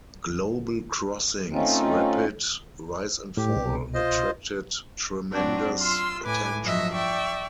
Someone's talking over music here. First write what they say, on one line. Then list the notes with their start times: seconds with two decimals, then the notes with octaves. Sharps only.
Global Crossing's rapid rise and fall attracted tremendous attention.
1.52 A3 C4 C#4 D#4 F4
3.37 A2 G4
3.57 C2 B2
3.94 F4 C5 D#5
5.31 F#2 F#3 C4 D4 F#4
5.80 F4 C6 E6
6.22 A2 B4 G#5 D6
6.61 G2 F3 F#3 F#4 D#5 E5
6.94 D5 E5 G5 C#6